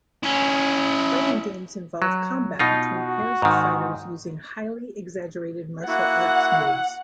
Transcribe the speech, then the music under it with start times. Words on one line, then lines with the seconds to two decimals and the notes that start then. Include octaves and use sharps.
Fighting games involve combat between pairs of fighters using highly exaggerated martial arts moves.
0.23 C#4 E4
2.02 F#3
2.59 B2 D#4 F4
2.97 F#4
3.42 G#2 D#3
5.88 A#3 E4 F#4 F#5